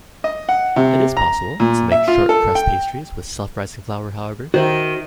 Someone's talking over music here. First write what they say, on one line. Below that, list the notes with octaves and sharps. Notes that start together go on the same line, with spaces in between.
It is possible to make shortcrust pastry with self-rising flour, however.
D#5
F#5
C3
A#5
A#2
E5
F4
A4
G5
D#3 F#4 C5 E5